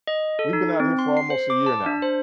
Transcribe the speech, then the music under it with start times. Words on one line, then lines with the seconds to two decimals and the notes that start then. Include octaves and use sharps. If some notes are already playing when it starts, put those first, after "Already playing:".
we've been out here for almost a year now,
0.07 D#5
0.39 A4
0.53 D#4
0.80 C4
0.99 C6
1.17 C7
1.30 C5
1.50 D6
1.66 A5
1.86 D4
2.02 C5